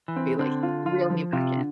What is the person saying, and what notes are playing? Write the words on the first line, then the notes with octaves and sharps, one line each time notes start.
be, like, reel me back in.
E3
C4
D3 C4
F4
F4
F3
C3 F4
D3